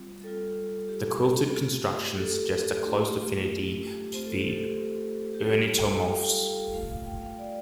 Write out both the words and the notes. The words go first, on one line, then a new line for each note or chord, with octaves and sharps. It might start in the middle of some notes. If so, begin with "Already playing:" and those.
The quilted construction suggests a close affinity to the erniettomorphs.
Already playing: G3 C4 F4
G3 F4 A4
G4
A3 C4 F4
G4
A4
A3 D4 F4 G4
A3 C4 F4 C5
A4
G4
A4
G4
G3 F4 A4
G5
F5
A3 F4 F5
F5
G5
F5
D5